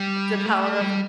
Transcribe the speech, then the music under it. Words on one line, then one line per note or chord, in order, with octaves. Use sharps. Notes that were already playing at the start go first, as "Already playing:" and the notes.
The Power of N
Already playing: G3
A3
G3